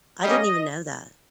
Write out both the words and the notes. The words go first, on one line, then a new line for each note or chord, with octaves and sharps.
I didn't even know that.
G3 A#3 C#4 D#5